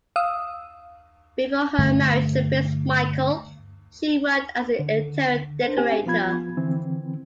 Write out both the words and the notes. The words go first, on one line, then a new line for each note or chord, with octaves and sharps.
Before her marriage to Prince Michael, she worked as an interior decorator.
F5 D#6 E6
G2 D3 A3
D3
D4 A#4 C5
C4 C#4 G4 G#5
F3 B3 F4 B5 G#6
D3 E3 C4